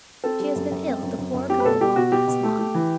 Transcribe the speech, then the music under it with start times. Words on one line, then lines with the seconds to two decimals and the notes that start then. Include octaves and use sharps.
"She has been ill; the poor girl won't last long."
0.24 C4 A4
0.39 G3
0.56 F#2
0.71 F#2
0.87 C4
1.03 F#2
1.18 F#2
1.34 F#2
1.50 C4 G4
1.60 B4
1.65 B2 A4
1.80 B2 G4
1.96 B2 F#4
2.12 B2 G4
2.28 B2
2.43 A3
2.59 A3
2.74 E3